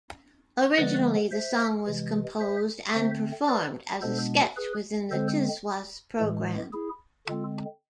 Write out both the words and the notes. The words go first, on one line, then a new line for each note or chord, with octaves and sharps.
Originally the song was composed and performed as a sketch within the "Tiswas" programme.
D3 F3 G#3 B3 B4 D5
C5 E5
C3 E3 G#3
C5 E5
D3 A3 C4 C5 E5
B4 D5
B2 G#3 B3 D4 A4 C5
G#4 B4
D3 G#3 C4 A4 C5
A2 E3 G#3
E4 G#4
D3 G#3 C4 F4 A4